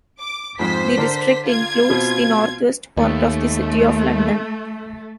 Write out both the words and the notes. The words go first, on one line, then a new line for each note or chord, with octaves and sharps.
The district includes the northwest part of the City of London.
D6
F2 G#2 C5 B6
D3 D4 A#4
F4 G#6
B2 C4
D#2 A3